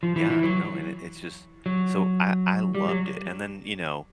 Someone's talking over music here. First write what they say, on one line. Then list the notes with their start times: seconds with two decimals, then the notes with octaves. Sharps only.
Yeah, no, and it it's just so I I loved it, and then, you know,
0.03 F3
0.16 E3
0.30 E3
0.43 F#3
1.66 F#3
2.75 G3
2.89 F#3